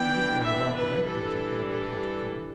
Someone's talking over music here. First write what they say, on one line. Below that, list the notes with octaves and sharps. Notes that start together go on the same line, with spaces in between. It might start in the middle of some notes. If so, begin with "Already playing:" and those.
"You didn't want to rob the bank, did you?" went on the inventor, keenly.
Already playing: E3 B3 D4 G5
E5
B4
E3 G3 D4 A4
A4